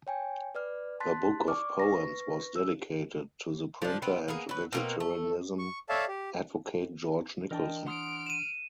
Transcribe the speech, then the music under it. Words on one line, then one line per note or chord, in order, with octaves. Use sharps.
Her book of poems was dedicated to the printer and vegetarianism advocate George Nicholson.
C#5 G5 G#5
B4 D5 F6
A5 C6 F#6 A6 B6
D5 C#6 D6 F6
B4 C#6 A#6
E6
F3 D4
B3 C4
A#3 B3 G#4
F#3 B4
B2 A#3 C4
A3
C#6
A4 C#5 D5 E5 F5 A5
G4
E3 D4 A#4 D#5 G5 A5
F#5 C6 D#6 F6 D7
D#7 E7